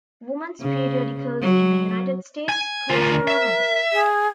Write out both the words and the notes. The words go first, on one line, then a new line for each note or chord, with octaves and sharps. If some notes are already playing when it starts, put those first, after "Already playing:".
"Women's Periodicals in the United States: Consumer Magazines".
C#3
F#3
G#5
D2 F4 A#4
E5
G#4